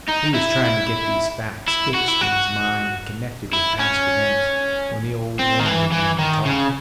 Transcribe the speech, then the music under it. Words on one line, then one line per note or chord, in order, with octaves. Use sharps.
He was trying to get these facts fixed in his mind and connected with past events, when the old woman began to talk.
D#4
E4
E4
F#4
E4
F#4
E4
C#4
C4
D#3
E3
E3
D#3
C#3